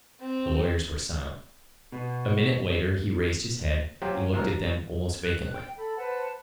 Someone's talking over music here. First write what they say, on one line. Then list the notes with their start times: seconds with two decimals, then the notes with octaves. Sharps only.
The lawyers were silent. A minute later he raised his head and looked at them almost vacantly.
0.21 C4
1.92 B2
4.02 F#3 F4 G4 C5
4.15 C#4
4.33 C2 A2 F3 A#4
5.23 F#6
5.52 G5
5.77 A4 B5
5.96 B4 C5 F#5 A5